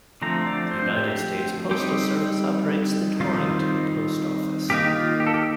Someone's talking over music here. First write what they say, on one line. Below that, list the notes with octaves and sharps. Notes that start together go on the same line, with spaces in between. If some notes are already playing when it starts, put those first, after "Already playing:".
The United States Postal Service operates the Torrington Post Office.
D3 F3 A3 C4 A#5
D5
C5
G4
G3 C4 D#4 G4
D#3 G3 C4 D#4 F4
D#3 A#3 D#4 G4
F4
G4
A4
G4